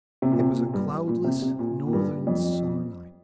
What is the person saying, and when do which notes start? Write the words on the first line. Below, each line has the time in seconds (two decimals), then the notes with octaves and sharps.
It was a cloudless, northern, summer night.
0.22 C3
0.32 A#2
0.39 C3
0.56 A#2
0.74 G2
1.08 A#2
1.24 C3
1.42 C3
1.59 A#2
1.87 A#2
1.93 G2
2.27 F2